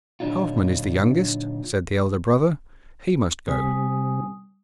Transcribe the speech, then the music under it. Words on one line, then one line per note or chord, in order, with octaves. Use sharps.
'Halfman is the youngest,' said the elder brother, 'he must go.'
A#2 D3 F#3 D4 D#4 F4
C3 G3 G#5 D#6